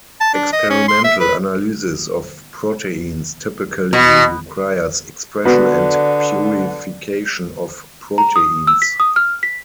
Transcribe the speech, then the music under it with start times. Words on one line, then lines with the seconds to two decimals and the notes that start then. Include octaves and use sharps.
Experimental analysis of proteins typically requires expression and purification of proteins.
0.20 A5
0.34 D4
0.53 D#5
0.70 C#4
0.88 C6
1.04 E5
1.20 B4
3.93 B2
5.45 D3 B3 F#4
8.18 A#5
8.36 D#6
8.67 E6
8.82 B6
9.00 D#6
9.16 F6
9.43 B6